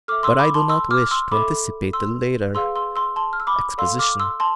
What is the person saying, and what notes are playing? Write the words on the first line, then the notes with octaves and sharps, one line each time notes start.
But I do not wish to anticipate the later exposition.
A4 E5 D6 F6
C6 E6
B5 D6
A5 C6
C6 E6
D6 F6
F6
C6 E6
A4 E5 B5 D6
C6 E6
G#4 B4 D5 F5 C6 E6
C6 E6
C6 E6
A5 C6
F6
E6
B5 D6
A4 D5 F5 C6 E6
D6 F6
C6 E6
A5 C6